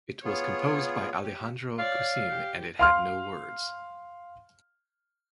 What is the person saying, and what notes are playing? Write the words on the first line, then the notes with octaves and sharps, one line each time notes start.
It was composed by Alejandro Cousin and it had no words.
B3 F4 G#4 C#5
G4
C#5 D5 F5
G4
F5 C6 F6